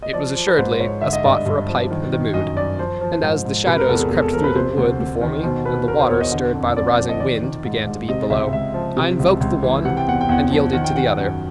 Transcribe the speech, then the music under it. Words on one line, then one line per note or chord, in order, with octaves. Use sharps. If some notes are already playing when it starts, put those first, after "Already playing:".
It was assuredly a spot for a pipe and a mood, and as the shadows crept through the wood before me and the water, stirred by the rising wind, began to beat below, I invoked the one and yielded to the other.
D#5
F3 D5
F3
B4
G#2 C5
G#2 C#5
D3 E5
D#5
G2 D5
D#5
G2
F3
D#3
D#3
F#2 D#5
F#2 D5
F3 C5
F3
G#2
G#2
C3 B4
A#4
E2 A4
G#4
E2 G#4
A4
F3 A#4
B4
C3 C5
D2
D2
D#3
B2 C5
B2 B4
E2 A#4
C5
E2 C#5
D#5
D3
F2
F2 D5
D5
F3 D5
D#5
D#3 D5
D#3
G#2
G#2
C3 D#5
C#2 E5
C#2 E5
F3
C3
C#2
C#2
E3
C3 F#5
G5
E2 F#5
G5
E2 F#5
F3
D#3 F#5
G5
D#3 F#5
F#5
F#2 F#5